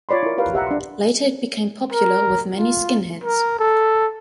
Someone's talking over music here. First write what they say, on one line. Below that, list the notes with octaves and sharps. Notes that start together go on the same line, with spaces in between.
Later it became popular with many skinheads.
F4 C#5 D5 B5 C6
E4 A#4
G4 A#4 B4 F5
G4 E5 F#5 A#5
D4 C6
A#4
F4
A#4
A4